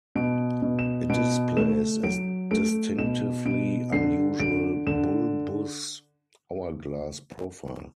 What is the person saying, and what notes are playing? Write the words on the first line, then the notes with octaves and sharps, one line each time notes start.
It displays a distinctively unusual bulbous hourglass profile.
B2 D7
B2
E7
B2 D7
A3 E7
F#3 D7
A3 D7
B2 E7
B2 D7
D3 C7
D3 D7
D3 E7